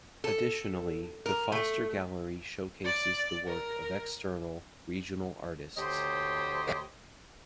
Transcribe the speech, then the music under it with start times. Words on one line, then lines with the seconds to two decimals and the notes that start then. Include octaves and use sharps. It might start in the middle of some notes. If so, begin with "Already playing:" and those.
Additionally, the Foster Gallery showcases the work of external, regional artists.
0.24 A4
1.26 A#4
1.52 A3
2.84 D5
3.46 A#4
5.77 D2 G4 C5 C#5 D#5